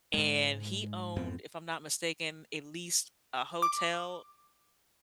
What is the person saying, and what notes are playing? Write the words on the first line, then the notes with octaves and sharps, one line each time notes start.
and he owned, if I'm not mistaken, at least a hotel
G#2 G#3
F2 G#2 B3 C4
D6